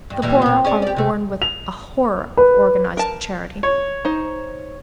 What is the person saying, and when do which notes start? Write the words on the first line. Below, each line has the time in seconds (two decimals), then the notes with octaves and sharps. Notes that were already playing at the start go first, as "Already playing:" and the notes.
The poor are born with a horror of organized charity.
0.10 G2
0.22 A#2 E3 G3
0.42 A#2 C4
0.65 C#4 G#4 D5
0.82 G4 D5
0.96 C3 A3
1.42 F7
2.37 B4
2.97 A#4 A5
3.63 C#5
4.05 D#4 C5